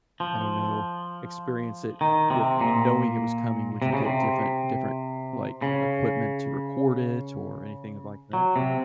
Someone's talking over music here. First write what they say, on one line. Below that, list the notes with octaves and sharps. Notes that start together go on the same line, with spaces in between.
I don't know, experience it with you knowing it was coming, would you get different different like equipment to record it or anything uh like that?
F3
D#3
C3
A#2
C3
C#3
C3
C#3
F#3
C3